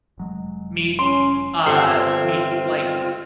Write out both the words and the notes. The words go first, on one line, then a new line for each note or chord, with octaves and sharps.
meets, uh, meets, like,
F1 F#3 G#3
C#4 C6
G1 C4 F4 A4 C5 E5 G5